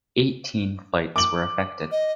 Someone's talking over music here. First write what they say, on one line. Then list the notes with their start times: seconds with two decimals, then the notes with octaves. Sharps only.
Eighteen flights were affected.
1.16 D6 F#7
1.92 D#5